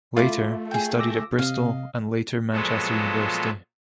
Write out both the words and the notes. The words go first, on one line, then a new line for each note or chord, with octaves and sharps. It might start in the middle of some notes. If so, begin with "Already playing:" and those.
Later, he studied at Bristol and later Manchester University.
A3 E4 F4 D6
G#4 G5
D6 E6 A#6
C3 D#5 F5
A#2 F3 F#3 G#3 B3 A4